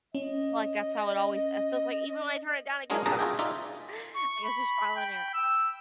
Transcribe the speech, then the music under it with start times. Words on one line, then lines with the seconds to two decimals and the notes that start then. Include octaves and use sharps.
I feel like that's how it always it feels like even when I turn it down, it comes out like like, it's just trial and error.
0.15 C#4 D#5
2.90 F#3 G#3 C#4 D4 G#4 A#4
3.06 G2 A#2 C#3 G#4 A5 A#5
3.19 F4 F#4 G#4 E5 G5
3.39 D#4 F4 D5 E5
4.15 C#6
4.44 B5
4.96 G5
5.34 E6